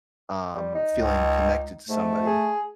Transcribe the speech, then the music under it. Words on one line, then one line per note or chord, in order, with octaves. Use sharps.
um, feeling connected to somebody.
G3
D#4
C#2
G#2 A3
G#4